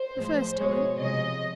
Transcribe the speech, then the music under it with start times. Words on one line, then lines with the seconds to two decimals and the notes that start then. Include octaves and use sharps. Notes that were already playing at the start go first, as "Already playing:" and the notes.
"The first time?"
Already playing: C5
0.17 A2 F3 G#3
0.58 B2 G#3 C#5
0.99 C3 F3 G#3 D#5